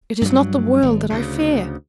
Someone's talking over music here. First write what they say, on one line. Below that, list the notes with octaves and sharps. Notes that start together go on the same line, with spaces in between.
It is not the world that I fear!
G2 F#3
G#1
D2 C#3